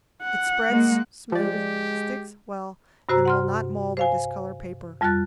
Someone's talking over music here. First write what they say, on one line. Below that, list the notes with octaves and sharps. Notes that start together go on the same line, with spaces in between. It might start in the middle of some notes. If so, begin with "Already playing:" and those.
It spreads smooth, sticks well and will not mold or discolor paper.
F#5
G#3 A#3
F3 G#3 G4 D5
G2 C3 F#4 C5 A#5 E6
F#5 C6 F6
C5 F5 G#5
F2 G3 F4 A5 F#6 A6